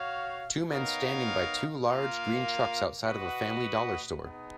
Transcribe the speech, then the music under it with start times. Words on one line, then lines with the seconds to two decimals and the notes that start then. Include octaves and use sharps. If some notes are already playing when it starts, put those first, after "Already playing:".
Two men standing by two large, green trucks outside of a Family Dollar store.
Already playing: F#4 C#5 F5
0.70 B3 D#4 A#4 C#5 F5
1.88 A#3 F4 A#4 F5
3.06 F#4 B4 D#5 F#5
4.23 B3 D#4 G#4